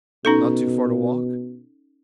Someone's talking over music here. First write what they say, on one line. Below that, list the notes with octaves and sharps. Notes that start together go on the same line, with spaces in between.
"Not too far to walk?"
B2 C#4 D#4 A4